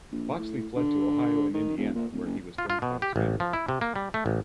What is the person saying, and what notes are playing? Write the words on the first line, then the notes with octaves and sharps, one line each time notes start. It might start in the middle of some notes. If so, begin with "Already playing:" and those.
Boxley fled to Ohio and Indiana, where he was joined by his family.
A#1
A2
D3
D#3
E1
A#2
D1
F#1
F4
F4
B2
G4
A1
F3
E4
C3
A#3
G3
A3
A1